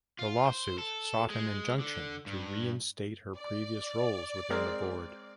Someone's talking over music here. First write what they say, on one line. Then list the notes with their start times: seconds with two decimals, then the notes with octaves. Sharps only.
The lawsuit sought an injunction to reinstate her previous roles within the Board.
0.19 F4
0.46 C5
0.78 A4
1.30 G#3
1.80 D3
2.26 G2
3.37 D5
4.50 G#3 C4 A#4